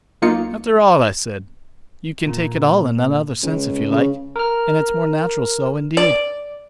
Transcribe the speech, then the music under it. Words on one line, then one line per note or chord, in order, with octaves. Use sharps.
After all, I said, you can take it all in another sense if you like, and it's more natural so, indeed.
B1 A#3 D#4 F4 C#7
A#2
C#2
C#3
A#4 F6
D5